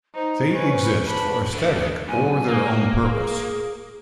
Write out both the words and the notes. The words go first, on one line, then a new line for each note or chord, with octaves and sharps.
They exist for aesthetic or their own purpose.
D#4 C5
C#4 B4
D4 B4 B5
D3 A3
B1 G#5
A#3
G#4